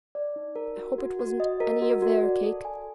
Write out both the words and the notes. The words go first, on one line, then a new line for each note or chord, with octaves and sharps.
I hope it wasn't any of their cake.
D5
D#4
A#4
F#4
F#4
F#4
D#5
A#4
F#4
F#4
D5
A4
G#5